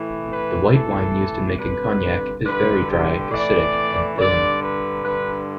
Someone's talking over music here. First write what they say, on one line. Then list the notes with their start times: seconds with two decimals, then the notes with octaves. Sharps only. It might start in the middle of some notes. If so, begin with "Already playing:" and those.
The white wine used in making cognac is very dry, acidic and thin.
Already playing: A2 E3
0.29 B4
0.71 A2 E3 A4
1.58 G2 D3 B4
2.44 G2 D3 B4
2.88 G4
3.31 A2 E3 D5
4.17 G2 D3 D5
4.60 B4
5.04 G2 D3 B4